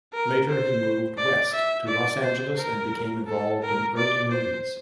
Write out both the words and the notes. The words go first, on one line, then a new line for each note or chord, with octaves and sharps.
Later he moved west to Los Angeles and became involved in early movies.
A#4
C5
D5
E5
D5
C5
A#4
A4
A#4
D5
C5